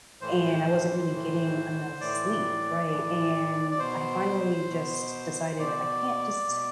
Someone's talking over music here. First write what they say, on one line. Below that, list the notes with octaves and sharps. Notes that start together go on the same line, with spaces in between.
and I wasn't really getting enough sleep, right? And I finally just decided I can't just
A2 E3 C5
A2 E3
A2 E3 D5
A2 E3
D5
B2 C5
B2
B2 D5
B2